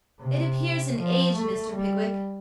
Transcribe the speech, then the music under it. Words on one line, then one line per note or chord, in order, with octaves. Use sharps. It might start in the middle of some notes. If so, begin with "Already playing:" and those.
It appears an age, Mr. Pickwick.
C3
F3
A3
G3